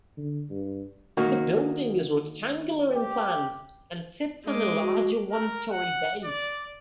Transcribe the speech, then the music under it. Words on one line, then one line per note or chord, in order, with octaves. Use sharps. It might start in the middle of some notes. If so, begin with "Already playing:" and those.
The building is rectangular in plan and sits on a larger one-story base.
D3
G2
D#3 A#3 F#4
G4
G#3 D6
F#4
A#4
F#5
D5